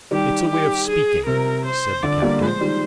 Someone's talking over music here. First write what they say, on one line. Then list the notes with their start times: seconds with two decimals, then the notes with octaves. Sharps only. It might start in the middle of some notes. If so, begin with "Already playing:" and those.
"It's a way of speaking," said the captain.
0.11 D#3 G3 G4
0.49 G4
0.88 G#4
1.26 C3 A#4
1.65 C5
2.03 D3 D5
2.22 G3 A#3
2.41 F3 G#3 C5
2.61 D#3 G3